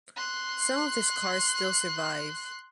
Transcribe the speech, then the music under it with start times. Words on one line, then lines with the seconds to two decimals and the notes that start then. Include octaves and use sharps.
Some of his cars still survive.
0.17 C6 F#6